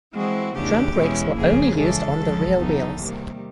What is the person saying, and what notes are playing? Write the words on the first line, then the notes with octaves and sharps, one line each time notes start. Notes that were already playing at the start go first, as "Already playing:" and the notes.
Drum brakes were only used on the rear wheels.
E3 G#3 C4 E4 F#4
E2 C#3 E3 A3 D4 G4
E2 B2 G#3 C#4 E4
F2 C#3 F3 A#3 G#4
C#3 E3 G#3 A4
F2 C#3 F3 G#3
E2 C#3 F#3 B3 D#4
C3 D#3 G3 A#3